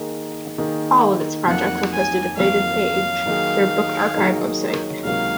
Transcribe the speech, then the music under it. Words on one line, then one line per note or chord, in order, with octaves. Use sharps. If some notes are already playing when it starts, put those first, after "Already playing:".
All of its projects are posted to Faded Page, their book archive website.
Already playing: D#3 A#3 D#4 G#4
D#3 A#3 D#4 G#4
F2 D#3 F#3 A#3 F#5
G#5
F2 D#3 F#3 A#3 F5
D#3 F#3 A#3 D#4 G#4
D#3 F#3 A#3 D#4 G#4
C#2 C3 D#3 F#3 A#3 F5